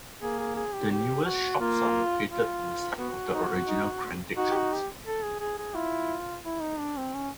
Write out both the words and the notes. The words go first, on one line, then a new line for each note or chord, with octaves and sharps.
The newest shops are located on the site of the original Crandic shops.
A#3 G#4
G#4
G#4
G4
G4
F#4
A#3 F4
F4
B3 F#4
D#4
D#4
D#4 F#4
G4
F#4
G4
A4
G#4
G#4
G#4
E4 F4
E4
D#4
D4
C4
C#4